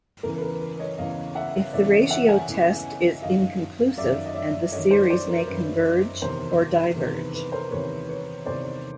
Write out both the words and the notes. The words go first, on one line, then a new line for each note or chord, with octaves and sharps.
If the ratio test is inconclusive, and the series may converge or diverge.
E2 C#3 E3 A#4
B4
A#4
B4
C#5 D#5
E2 C#3 E3 D#5 F5
E5 F#5
E2 C#3 E3 D5 E5
C#5 D#5
E5 F#5
F#5 G#5
E2 C#3 E3
F#2 D#3 D#5 F5
F#2 D#3 D5 E5
D#5
D5 E5
F#2 D#3 C#5 D#5
C5 D5
C5 D5
A#4
F#2 D#3 B4
E2 C3 D#3 A#4 C5
E2 C3 D#3
B4
B4
A#4 C5
E2 C3 D#3 B4 C#5
B4 C#5
E2 C3 D#3 C5 D5